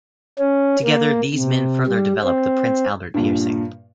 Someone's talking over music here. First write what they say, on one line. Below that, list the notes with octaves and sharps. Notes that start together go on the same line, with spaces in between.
Together, these men further developed the Prince Albert piercing.
C#4
A#3
C3
G3
C4
G2 A#2